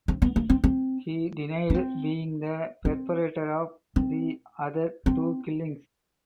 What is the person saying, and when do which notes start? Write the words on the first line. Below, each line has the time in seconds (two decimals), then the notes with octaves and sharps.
He denied being the perpetrator of the other two killings.
0.08 C4
0.22 B3
0.36 A#3
0.50 C4
0.64 C4
1.70 C#4
1.74 C4
2.85 C4
3.96 C4
5.06 C4